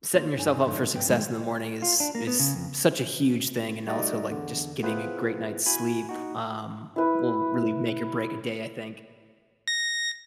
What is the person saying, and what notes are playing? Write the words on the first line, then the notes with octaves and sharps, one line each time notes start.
setting yourself up for success in the morning is is such a huge thing and also, like, just getting a great night's sleep, um, will really make or break a day, I think.
F2 D3 A#3 D#4 F4
G2 D3 D#4 G#5
F2 G#2 D3 D#4
D2 G2 B3 G5
D#2 D#3 E3 G#3 A3
F4
D4
A#3
B3
C#3
F2
G3 A3 D#4 F#4 D5 D#5
E2 D3
B3 E4 F4 G#4 B4 C5
E4 F#4 G#5 B5
D#4 F#4
E4 B4
A#6